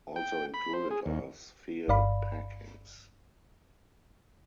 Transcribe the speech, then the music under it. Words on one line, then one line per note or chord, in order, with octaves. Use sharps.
Also included are sphere packings.
G5
B5
C5
G#4
D#2
G1 G2 D5 F5 B5